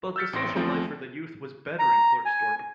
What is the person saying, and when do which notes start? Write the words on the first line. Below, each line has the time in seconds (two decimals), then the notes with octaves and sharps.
But the social life for the youth was better in Klerksdorp.
0.16 E6 F6 G6 A6 B6 C#7
0.33 A1 A2 C6 A#6 D7
0.56 E2 F3 A3 C4
1.79 A#5
2.25 G#5